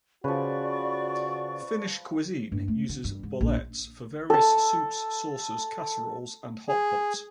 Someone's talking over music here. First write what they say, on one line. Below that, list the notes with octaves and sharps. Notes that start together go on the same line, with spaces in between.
Finnish cuisine uses boletes for various soups, sauces, casseroles, and hotpots.
C#3 F3 F#4 B4 D5 C#6
G2
A3
D3
G2
G#2
A#1
A4 A5
G#4